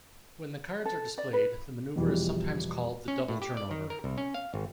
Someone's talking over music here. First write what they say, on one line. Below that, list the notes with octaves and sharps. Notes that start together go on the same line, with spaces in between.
When the cards are displayed, the maneuver is sometimes called the "double turnover".
A4
D5
B4
E2 B2 E3 F3 G3
C#4
A2
G4
D5
D#3
A#4
C2
C#4
F5
G#1